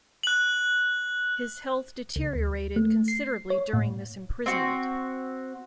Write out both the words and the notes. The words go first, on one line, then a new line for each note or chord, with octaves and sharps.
His health deteriorated considerably during this imprisonment.
F#6 F#7
C#2
D2
A3
C7
C#5
A2
C4 F#4